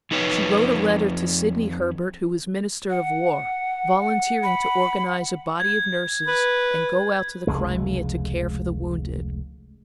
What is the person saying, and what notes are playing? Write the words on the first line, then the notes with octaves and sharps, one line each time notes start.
She wrote a letter to Sydney Herbert who was Minister of War, volunteering to organize a body of nurses and go out to the Crimea to care for the wounded.
F2 D#4 B4 C#5
F#5
B5
G#6
B4
F1 C#2 G#3